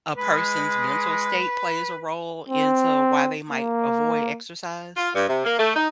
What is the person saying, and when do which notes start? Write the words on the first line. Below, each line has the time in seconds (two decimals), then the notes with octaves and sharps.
a person's mental state plays a role into why they might avoid exercise?
0.17 G#3 B4
2.49 C4
3.51 A#3
4.96 F4
5.15 G2
5.28 C3
5.45 A#3
5.58 A3
5.75 D#4